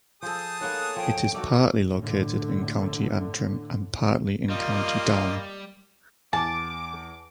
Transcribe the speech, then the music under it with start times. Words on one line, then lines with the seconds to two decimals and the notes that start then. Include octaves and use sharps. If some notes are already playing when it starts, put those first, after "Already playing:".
It is partly located in County Antrim and partly in County Down.
0.22 F3 G#4 A4 A5 D#6 G6
0.61 A#3 B3 D#4 A4 C#5 F#6
0.96 F3 G5
1.34 A3 D#4 F#4 D6
1.97 A2 D3
4.50 G3 A#3 F4 D#5
6.33 E2 G#5 A5 D6